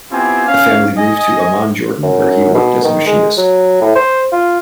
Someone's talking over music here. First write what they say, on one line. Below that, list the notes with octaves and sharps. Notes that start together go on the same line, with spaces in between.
The family moved to Amman, Jordan, where he worked as a machinist.
B3 C4 E4 F4 G4 G#5
C#4 F5
D#5 G#5
F#2
B2
D#3
G#3
F#3
A2
C5
F4